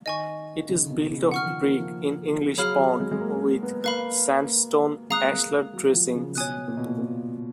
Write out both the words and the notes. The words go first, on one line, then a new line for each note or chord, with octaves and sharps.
It is built of brick in English bond with sandstone ashlar dressings.
D#3 D#5 G#5 C#6
D#3
C#3
B2
C#3
F3
D#3 F#5 C#6 F6
D#3
F3
A#3
F3
F#3 G#4 C#5 F5 B5 F6
F#3
G#3
G#3
A#3
A#3
B3
A#3 B4 F5 B5
A#3
G#3 F5 A#5 D#6 F#6
A#3
G#3
F#3
F3
C#3
B2 C#5 G#5 D#6 F#6
A#2
B2
A#2
A#2